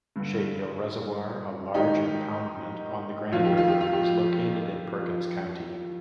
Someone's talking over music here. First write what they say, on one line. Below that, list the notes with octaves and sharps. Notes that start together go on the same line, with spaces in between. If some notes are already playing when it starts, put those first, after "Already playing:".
Shadehill Reservoir, a large impoundment on the Grand River, is located in Perkins County.
G2 D3
G#2 D#3 D#4 G4
F2 D#3 F4
G4
F4
G4
F4
G4